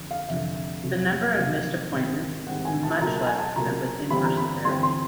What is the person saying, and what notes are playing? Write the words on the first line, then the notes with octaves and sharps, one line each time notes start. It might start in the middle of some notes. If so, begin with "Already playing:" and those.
The number of missed appointments is much less than with in-person therapy.
Already playing: F2 D3
F5
F1 F2 D3 E5
F1 F2 C#3 F#3
F1 F2 C#3 F#3 F5
G#2 D#3 G3 C4
G#2 D#3 G3 C4 F#5
G#5
A5
C#2 B2 F#3 A#3 A#5
A5
G#5
A5
C#2 B2 F#3 A#3 A#5
G1 G2 E3 G3 C4 B5
A#5
B5
G1 G2 E3 G3 C4 C6
C6